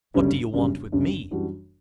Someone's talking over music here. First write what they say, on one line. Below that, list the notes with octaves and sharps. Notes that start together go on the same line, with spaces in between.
What do you want with me?'
G1 F#2 C#3 G3 C#4
G1 F#2 C#3 G3 C#4
G1 F#2 C#3 G3 C#4
F#2 E3 G3 D4 F#4